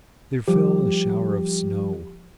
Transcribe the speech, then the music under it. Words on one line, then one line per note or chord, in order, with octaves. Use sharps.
There fell a shower of snow.
F3 G3 G4